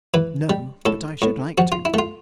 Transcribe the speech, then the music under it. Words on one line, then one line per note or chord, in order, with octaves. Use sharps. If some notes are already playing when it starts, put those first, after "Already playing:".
"No, but I should like to."
E3 B4
G3
A2 A4
A2
F3 F#4
F4
E4
A3 F4